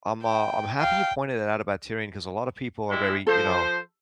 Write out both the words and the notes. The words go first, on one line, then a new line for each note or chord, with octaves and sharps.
I'm, uh I'm happy you pointed it out about Tyrion, 'cause a lot of people are very, you know,
G5
F5 G5
G3 G#3 E4
F3 A4 C5